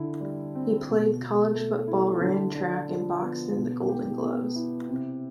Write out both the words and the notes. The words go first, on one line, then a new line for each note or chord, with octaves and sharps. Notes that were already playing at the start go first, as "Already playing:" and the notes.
He played college football, ran track and boxed in the Golden Gloves.
Already playing: D3 E4
G3
C4
B2
B2
A3
E4
D3
D4
F3
B3
B2
G4
B3
E4
C3